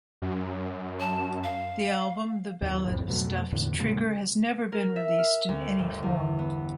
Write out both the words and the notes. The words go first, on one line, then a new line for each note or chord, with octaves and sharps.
The album "The Ballad of Stuffed Trigger" has never been released in any form.
F#2
A5
F5
D#2 F#3
C2 F2 A2
F2 B2 F#3 A3
E2 A2 D3
A#2 C#3 G#3
A#4
E5
F6
D2
G1
E2
B3